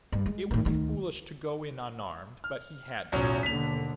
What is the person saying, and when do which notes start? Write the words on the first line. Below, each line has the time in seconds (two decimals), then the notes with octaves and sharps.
It would be foolish to go in unarmed, but he had to.
0.12 G2
0.26 G#3
0.51 A2 D#3
0.65 D2 D#3
2.44 F6
3.12 B1 E2 A2 F3 F#3 C#4
3.43 D#2 B2 D3 B6 F7